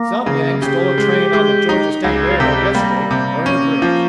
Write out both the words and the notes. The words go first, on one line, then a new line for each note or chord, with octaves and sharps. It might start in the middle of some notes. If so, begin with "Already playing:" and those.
"Some Yanks stole a train on the Georgia State Railroad yesterday and burned a bridge."
Already playing: A#3
C#3
C#3 G4
G#3
G#3
D#4
C#2 G#4
F4
C3 G4
G3 A#3
C3
C#4
F3